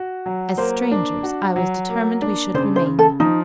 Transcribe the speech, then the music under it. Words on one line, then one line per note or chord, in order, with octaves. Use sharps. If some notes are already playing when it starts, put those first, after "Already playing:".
As strangers I was determined we should remain.
Already playing: F#4
F#3
A#3 C5
D4
F#4
F#3
A#3
D4
C#3 C5
C5
C#3
A4
F3 D#4